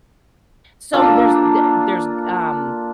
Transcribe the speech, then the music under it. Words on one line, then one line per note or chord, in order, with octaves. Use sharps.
som there's the there's, um,
A#3 D4 F4 A4